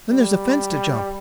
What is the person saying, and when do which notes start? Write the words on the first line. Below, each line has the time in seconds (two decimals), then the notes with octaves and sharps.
Then there's a fence to jump.
0.10 G3